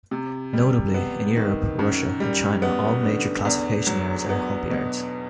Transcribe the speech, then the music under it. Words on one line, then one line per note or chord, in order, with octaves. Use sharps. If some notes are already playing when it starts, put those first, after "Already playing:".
Notably, in Europe, Russia and China, all major classification yards are hump yards.
C3
G3
B3
D#3
F#2
G3
B3
D3
E2
F#3
B3
B2